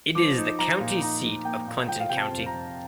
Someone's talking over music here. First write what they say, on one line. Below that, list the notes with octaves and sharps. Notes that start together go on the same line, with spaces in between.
It is the county seat of Clinton County.
F3 D6
D#4
F3 A#5
A#2
D#4 A#5
D#4
A#3 G5
A#2
F3 G5
F5
C3 G5
A5
F2
A#5
F2